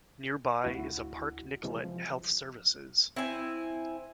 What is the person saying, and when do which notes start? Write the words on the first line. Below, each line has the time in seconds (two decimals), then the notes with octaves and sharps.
Nearby is a Park Nicollet Health Services.
0.64 D2 E4 F#4
1.64 C3 E3 G#3
1.84 F3
3.16 C4 E4 G#5